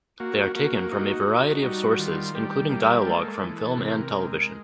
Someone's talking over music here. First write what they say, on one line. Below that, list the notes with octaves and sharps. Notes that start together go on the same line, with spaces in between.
They are taken from a variety of sources including dialogue from film and television.
A#3 F#4
A#3 F#4
D#4 F#4
D#4
G3 F#4
D#3 F4
G3 G4
A#3 G4
G#3 A4
E3
B4
C3 A#4
G#3